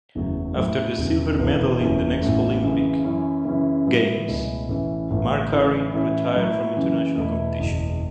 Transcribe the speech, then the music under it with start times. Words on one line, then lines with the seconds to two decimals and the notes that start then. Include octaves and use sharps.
After the silver medal in the next Olympic Games, Marcari retired from international competition.
0.15 F#1 E2 C#3 F#3 A3
0.56 A2 F#3 A3 E4
0.97 E1 E2 C#3
1.39 E1 E2 E3 B3
1.80 F#1 E2 E3 C#4
2.22 A1 A2 A3 C#4
2.63 F#2 C#3 E3
3.04 F#2 E3 C#4 E4
3.45 F#2 C#3 E3 C#4 E4
3.86 A2 F#3 B3 E4
4.28 C#2 B2 A3 C#4 E4
4.69 A1 A2 E3 A3 C#4
5.11 A1 A2 E3 A3
5.52 A2 E3 C#4 E4
5.93 A2 E3 C#4 E4
6.34 A2 F#3 A3 E4
6.76 F#2 C#3 E3
7.17 E2 B2 A3 E4
7.59 F#1 E2 B2